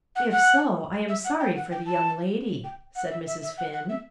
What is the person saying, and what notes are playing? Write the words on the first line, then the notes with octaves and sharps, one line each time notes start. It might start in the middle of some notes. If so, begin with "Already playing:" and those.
"If so, I am sorry for the young lady," said Mrs. Finn.
F#5
F#5
E5
F#5
G5
F#5
G5
A5
G5
F#5
E5
E5
E5
F#5
F#5
E5